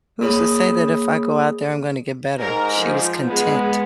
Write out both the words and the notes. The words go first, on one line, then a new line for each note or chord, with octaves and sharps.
"Who's to say that if I go out there, I'm gonna get better?" She was content.
A#3 G#4 C#5 B5 D#6
G#2 A#4
F3
G#3 B3